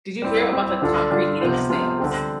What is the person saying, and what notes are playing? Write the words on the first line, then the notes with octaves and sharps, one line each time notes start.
did you hear about the concrete eating snails?
G3 C4 E4
G3 C4 E4
D3 G3 D4 F4 A4
D3 G3 D4 F4 A4
C3 F3 B3 F4 C5
C3 F3 B3 F4 C5
D3 G3 C4 G4